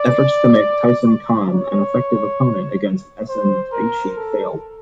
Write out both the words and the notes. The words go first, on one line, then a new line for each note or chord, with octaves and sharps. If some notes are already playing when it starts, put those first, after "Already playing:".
Efforts to make Taisun Khan an effective opponent against Esen Taishi failed.
Already playing: D5
C#5
C5
A#4
A4